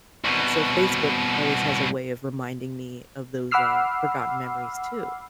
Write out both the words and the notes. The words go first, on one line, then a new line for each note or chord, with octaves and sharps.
Uh, so Facebook always has a way of reminding me of those, uh, forgotten memories, too.
C2 B2
F#5 B5 D6 E6 F6 C7